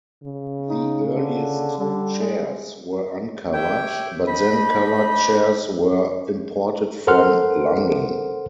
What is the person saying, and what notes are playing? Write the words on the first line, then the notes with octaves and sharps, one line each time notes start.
The earliest chairs were uncovered, but then covered chairs were imported from London.
C#3
D#4
D3
D3 G3
G#3
G4 C#5 E5 G5
D4 C5 D#5 B5
A4 A#4 C5 F#5 C6 F6